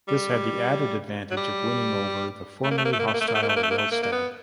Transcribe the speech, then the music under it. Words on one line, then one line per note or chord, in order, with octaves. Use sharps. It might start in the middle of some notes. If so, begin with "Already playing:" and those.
This had the added advantage of winning over the formerly hostile Rellstab.
G3
F#3
G3
A3
A#3
A3
A#3
A3
A#3
A3
A#3
A3
A#3
A3
A#3
A3
A#3
A3
A#3
A3
A#3
A#3
B3